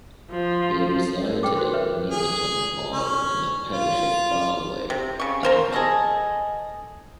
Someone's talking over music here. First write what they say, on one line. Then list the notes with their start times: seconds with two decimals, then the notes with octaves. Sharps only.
He resided at Netherton Hall in the parish of Farway, Devon.
0.31 F3
1.24 A#4 C#5
1.43 G#4 A#4 B4 G5 D6
1.57 F#4 C5 C6
1.73 A#4 B4 C#5 E5 G5
2.11 G#4
2.93 C#4
3.72 F4
4.90 C3
5.20 C#3 C#6
5.43 A#4 C5 F5
5.72 G#4 A4 D#5 A#5